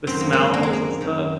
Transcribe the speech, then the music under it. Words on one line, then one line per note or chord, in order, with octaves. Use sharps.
the smells and stuff?
F#2 D#3 C4
A#3
G#3 C4
A#3
G#3
A#3
F#2 D#3